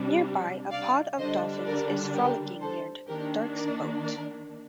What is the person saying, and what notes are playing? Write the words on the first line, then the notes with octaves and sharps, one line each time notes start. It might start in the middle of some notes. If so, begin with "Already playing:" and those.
Nearby, a pod of dolphins is frolicking near Dirks boat.
Already playing: C3 G3 D4
D5 F5
D3 G3 D4 C5 D#5
A#4 D5
G4 A#4
A4 C5
D#3 A#3 D4 G4 A#4
A#4 D5
A#4 D5